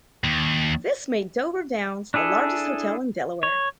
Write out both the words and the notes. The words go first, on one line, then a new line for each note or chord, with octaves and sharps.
This made Dover Downs the largest hotel in Delaware.
D#2
D4 E4 G#4 A4
C#5